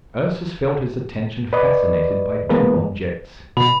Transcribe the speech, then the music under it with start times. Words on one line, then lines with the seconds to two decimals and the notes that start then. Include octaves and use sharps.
Ursus felt his attention fascinated by two objects.
1.53 B4 D5 D#5
2.50 E3 G#3 A#3 B3 B4
3.57 B2 B5